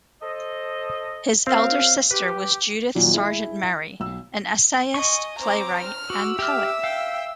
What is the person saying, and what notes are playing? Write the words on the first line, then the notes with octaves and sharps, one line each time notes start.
His elder sister was Judith Sargent Murray, an essayist, playwright, and poet.
A4 C5 D#5
F#2 C4 F5
G4 B4
A#2 D#3 F3 F#3
E4 G#4
B1 E6
D#5 G#5 C#6
C4 C5 A#5 D6
F6
F#4 D6 E6
G4 E5 D6 F6
F5 G5